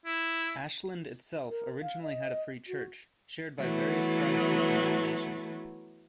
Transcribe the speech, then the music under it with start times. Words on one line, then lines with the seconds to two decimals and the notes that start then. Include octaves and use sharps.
Ashland itself originally had a Free Church, shared by various Protestant denominations.
0.06 E4
1.50 A#4
1.82 F5
2.03 D#5
2.68 F#4
3.59 E3 F#3 A3 B3